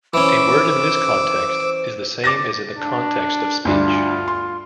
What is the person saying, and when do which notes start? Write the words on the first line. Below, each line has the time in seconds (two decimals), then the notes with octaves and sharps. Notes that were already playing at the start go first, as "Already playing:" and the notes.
A word in this context is the same as in the context of speech.
0.14 E3 C#4 C5 D6 E6
2.24 D6 A6 A#6
2.77 D4
3.65 D2 G2 D4 F4
4.28 C6